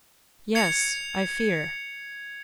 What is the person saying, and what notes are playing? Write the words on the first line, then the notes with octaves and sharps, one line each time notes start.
"Yes,--I fear."
G#6 C#7 F7